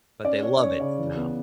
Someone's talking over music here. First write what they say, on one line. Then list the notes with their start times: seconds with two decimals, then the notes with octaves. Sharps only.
But they love it now,
0.25 C#4 D5
0.43 C#4 C#5
0.56 D5
0.62 C#4 C#5
0.80 C#3 D5
0.98 E2
1.17 B3